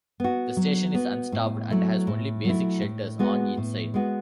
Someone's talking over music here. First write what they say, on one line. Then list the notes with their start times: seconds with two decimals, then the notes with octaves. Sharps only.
The station is unstaffed and has only basic shelters on each side.
0.20 B3 F#4
0.57 F#3
0.94 B3 F#4
1.32 A2
1.70 F#3 A3 E4
2.07 A2
2.45 F#3 A3 E4
2.82 A2
3.19 G#3 B3 F#4
3.57 A2
3.94 G#3 B3 F#4